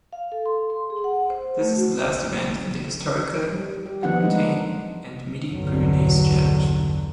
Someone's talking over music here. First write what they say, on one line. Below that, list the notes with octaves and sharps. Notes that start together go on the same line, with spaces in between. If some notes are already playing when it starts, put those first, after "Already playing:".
This is the last event in the historical Aquitaine and Midi-Pyrénées Challenge.
F5
A4
C6
C6
G#4
F#5
C5
A3
F#4
C5
G3
G4
D#3 F3 B3 D4 F4 F#5
G3 G#3 A#3 C4 D4 D#4
B1 E2 G2 D3 F#3